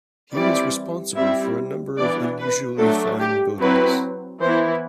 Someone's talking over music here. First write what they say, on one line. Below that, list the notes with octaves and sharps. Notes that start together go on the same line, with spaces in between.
He was responsible for a number of unusually fine buildings.
E3 G3 C4 E4 D5
G3 C4 E4 E5
E3 B3 D4 D5
B4
F#3 A3 D4 A4
G4
F#3 C4 E4 B4
E3 B3 E4 C5